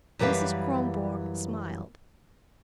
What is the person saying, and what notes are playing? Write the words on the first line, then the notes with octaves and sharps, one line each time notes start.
Mrs. Kronborg smiled.
F#2 E3 G3 B4 F5